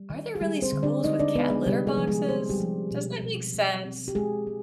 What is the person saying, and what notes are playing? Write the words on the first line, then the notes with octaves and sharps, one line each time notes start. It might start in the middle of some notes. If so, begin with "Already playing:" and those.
are there really schools with cat litter boxes? Does that make sense?"
Already playing: G3
D#3
G#4
G3 G#3 G4
C4 C5
D3
D4 D5
G#3 D#4 D#5
D4 D5
G#3 B3 B4
G#3 G#4
C3 G3 G4
G#3 G#4
F3
G#3 G#4
F3 C4 C5
G3 G4
F3
B2
B2
G#3
C4
G4
G#3 G#4
G#3